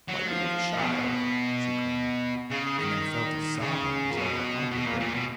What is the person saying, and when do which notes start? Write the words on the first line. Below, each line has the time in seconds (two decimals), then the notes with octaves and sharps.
"My little child," she cried, and then fell to sobbing as though her heart would break.
0.09 F#3
0.28 F3
0.75 A#2
0.83 B2
2.50 C#3
2.78 D#3
3.61 C#3
4.11 A#2
4.17 B2
4.72 B2
4.86 A#2
5.00 A#2
5.14 B2